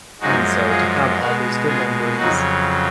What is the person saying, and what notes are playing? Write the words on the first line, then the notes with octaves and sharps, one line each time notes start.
And so, to have all those good memories
F#2 F3 G#3 D#4 F#4
F4 G#4
B2 G#3 F#4 A#4
F4 G#4
F2 C#3 F#3 D#4 F#4